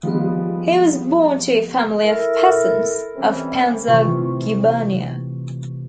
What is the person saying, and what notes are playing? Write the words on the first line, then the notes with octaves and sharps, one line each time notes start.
He was born to a family of peasants of Penza gubernia.
F3 G3 G#3 B3
E4 A4 A#4
F#2 C3 E3 G3 C4 C#4
C3 E3 A3 F4 C#6